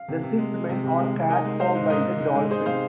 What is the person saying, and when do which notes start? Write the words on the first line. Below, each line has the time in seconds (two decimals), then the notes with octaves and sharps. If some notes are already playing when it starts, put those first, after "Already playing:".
The sick men are cared for by the "Dolphin".
Already playing: F5
0.08 C3
0.23 C3
0.38 G#3
0.54 G#3
0.69 C3
0.84 C3
0.99 G#3
1.15 C3
1.30 D#4 A#4 D#5
1.45 G#3
1.60 D#4 C5 F5
1.75 G#2
1.90 G#2 A#4 D#5
2.05 G#2
2.20 G#2
2.35 G#3
2.51 D#4 G#4 C5
2.66 C3 C5 F5